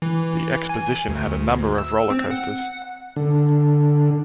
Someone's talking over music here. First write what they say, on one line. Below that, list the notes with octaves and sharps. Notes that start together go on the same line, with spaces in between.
The exposition had a number of roller coasters.
E3
G#5
D2
E6
C4
F#5
D3